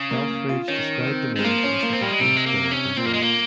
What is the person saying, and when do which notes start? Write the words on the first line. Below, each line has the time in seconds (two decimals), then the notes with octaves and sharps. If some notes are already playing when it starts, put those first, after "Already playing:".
Belfrage described the moment as the happiest day of his life.
Already playing: C#3
0.11 A#3
0.31 A#3
0.49 F4
0.68 D#3 C#4
1.07 C4
1.36 D#3 G#3
1.44 F3 A#3
1.64 C#4
1.83 A#3
1.93 C4
2.01 G3 A#3
2.11 G#3
2.20 C3 G3
2.36 G#3
2.46 A#3
2.71 C#4
2.97 A#2 C4
3.06 A#3
3.13 G#3
3.22 A#3